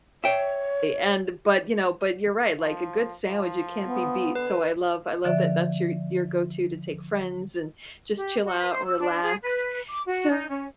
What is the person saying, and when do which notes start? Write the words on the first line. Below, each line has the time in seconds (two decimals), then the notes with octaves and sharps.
and but, you know but you're right, like a good sandwich, it can't be beat, so I love I love that that's your your go-to to take friends and just chill out and relax. So
0.24 C#5 E5 G5
2.59 F3
3.26 F3
3.85 B3
4.35 D3 B4
5.24 D3 F3 D5 E5
8.17 G4
8.44 F#4
8.58 B4
8.70 C5
8.84 E6
9.00 D4
9.22 G#4
9.42 B4
9.89 D6
10.06 F#4
10.30 D#4
10.48 C#4